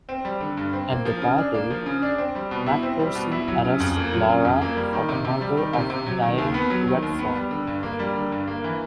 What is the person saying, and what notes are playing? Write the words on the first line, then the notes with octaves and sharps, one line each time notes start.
At the party, McPherson arrests Laura for the murder of Diane Redfern.
C4
G3
D3
G2
C4
A#3
F3
C#3
D4
A#3
F3
C#3
D4
C4
G3
B2
E4
C4
G3
B2
E4
F#3
C#3
F2
A#3
F#3
C#3
F2
A#3
G3
D#3
C3
C3
G3
D#3
C3
C3
F#3
D#3
D#2
B3
F#3
D#3
D#2
B3
G3
D3
G2
A#3
G3
D3
G2
A#3
E3